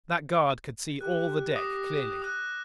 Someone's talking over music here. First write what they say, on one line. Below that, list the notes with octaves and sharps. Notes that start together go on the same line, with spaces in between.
That guard could see all the deck clearly.
G4 F#6
D6 D#6 A#6
D#6 F#6